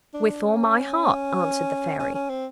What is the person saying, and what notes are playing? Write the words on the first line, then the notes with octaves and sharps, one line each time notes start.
"With all my heart," answered the fairy.
D4
C#4
C#4
C#4
C4